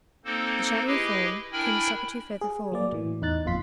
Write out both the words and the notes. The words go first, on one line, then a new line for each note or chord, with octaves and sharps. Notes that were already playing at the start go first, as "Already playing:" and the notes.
The shadowy form came a step or two further forward.
A#3 C4 D#4 A4 C5
E4 G4 G#4 B4 D#5
D4 E4 A#4 G5 G#5 B5
G#4
F#3 A#3 D5
A2 E3
E2 D#4 F#6 A6
G1 F2 A#2 F4 C6 B6